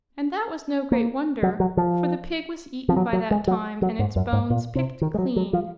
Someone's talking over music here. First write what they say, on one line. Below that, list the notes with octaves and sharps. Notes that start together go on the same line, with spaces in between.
And that was no great wonder, for the pig was eaten by that time and its bones picked clean.
A#3
F#3
F#3
F3
F3
F#3
F#3
G#3
F#3
F#3
G#2
F#2
G#2
A#2
C3
D#3
G#3
F#3
F#3
F3